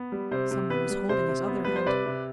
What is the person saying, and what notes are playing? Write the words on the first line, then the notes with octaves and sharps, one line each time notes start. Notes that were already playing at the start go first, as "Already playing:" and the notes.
Someone was holding his other hand.
Already playing: B3
G3
C3 C5
C3
B3 B4
G3
C3 C5
C3
B3
G3 B4
C5
C3 B4 D5
C3